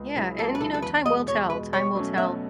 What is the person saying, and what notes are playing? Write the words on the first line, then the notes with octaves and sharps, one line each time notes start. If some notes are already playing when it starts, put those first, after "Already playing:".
Yeah. And, you know, time will tell. Time will tell
Already playing: C#2
C#3 F#3 C#4 E4
C#2 A4
B4
C#3 F#3 C#4 E4 A4
A4
E2 B4
B2 G#3 D#5
E2 C#5
B2 G#3 B4
B2 C#5
F#3 A3 C#4
B2 E5